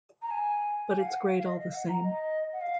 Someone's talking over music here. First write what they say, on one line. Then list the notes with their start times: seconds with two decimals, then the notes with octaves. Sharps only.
But it's great all the same.
0.22 A#5
0.31 G#5
0.87 G#5
0.98 F5
1.07 F#5
1.27 F5
1.39 F5
1.46 D#5
1.60 D#5
1.71 F5
1.74 F#5
1.88 A#5
2.03 D#5
2.53 F#5
2.61 F5